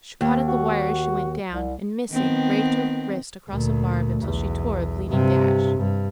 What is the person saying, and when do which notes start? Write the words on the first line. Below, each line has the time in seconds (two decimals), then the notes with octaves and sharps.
She caught at the wire as she went down, and missing, raked her wrist across a barb until she tore a bleeding gash.
0.21 D#2
0.47 F#4
1.48 C2
2.12 D#3 B3 C4
3.50 D2 A#2
4.22 B1 E2
5.08 G2 C3
5.78 G2